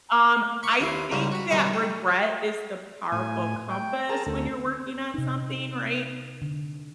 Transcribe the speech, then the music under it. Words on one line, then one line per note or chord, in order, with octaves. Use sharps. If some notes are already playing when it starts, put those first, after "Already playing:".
Um, I think that regret is the powerful compass when you're working on something, right,
B5 C#6
D#2 E4 C6
C#2 G#2 G3 G#3 A#3 C#4
F#4 B5
B2 D#3 G3 G#3 C#4 D#4
G5
A2 G#5
G5
G#4 A#4 A5 A#5
D2 A4
C3 D#4
D3